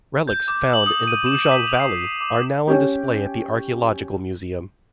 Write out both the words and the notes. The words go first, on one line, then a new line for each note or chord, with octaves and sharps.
Relics found in the Bujang Valley are now on display at the archaeological museum.
G6
D6
F#7
D#6
D#7
E7
B6
F7
C7
D6
C#4 G4